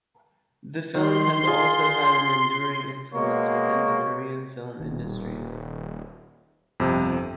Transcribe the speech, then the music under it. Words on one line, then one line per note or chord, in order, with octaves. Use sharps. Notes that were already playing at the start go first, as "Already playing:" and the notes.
The film has also had an enduring influence within the Korean film industry.
D#3 C6
F4 G#4
B2 G#3 A#3 C#5
D#1
G1 F2 C3